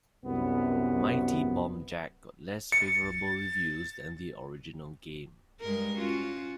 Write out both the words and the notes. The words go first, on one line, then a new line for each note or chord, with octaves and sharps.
"Mighty Bomb Jack" got less favorable reviews than the original game.
C2 F#2 B3
A6 C#7
G2 G#3 A#4
C#4 F4 F#4